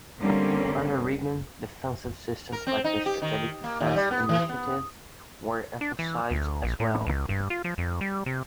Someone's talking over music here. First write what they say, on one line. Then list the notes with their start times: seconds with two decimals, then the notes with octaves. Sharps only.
Under Reagan, defensive systems like the Strategic Defense Initiative were emphasized as well.
0.19 D3 G3 A#3 C4 C#4
2.52 A#4
2.67 C4
2.84 D#4
3.06 G4
3.22 D#3
3.64 A#3
3.80 D#2
3.96 G3
4.11 B3
4.29 E3
4.49 B3
5.81 D4
5.99 E3
6.31 D2
6.64 A#1
6.80 A2
7.07 C#2
7.29 G2
7.50 F4
7.64 F3
7.78 F2
8.01 G3
8.26 C3